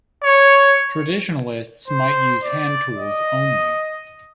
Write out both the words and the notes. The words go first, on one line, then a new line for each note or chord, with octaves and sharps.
Traditionalists might use hand tools only.
C#5
C5
D5
D#5